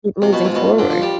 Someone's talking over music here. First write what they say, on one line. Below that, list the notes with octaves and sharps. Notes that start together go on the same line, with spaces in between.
keep moving forward.
C3 F4
B2
G#2
B2
D3
F3
G3